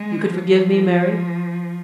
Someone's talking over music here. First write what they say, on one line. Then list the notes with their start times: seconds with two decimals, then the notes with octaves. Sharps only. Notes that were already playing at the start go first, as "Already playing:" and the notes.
"You could forgive me, Mary?"
Already playing: G#3
0.26 F3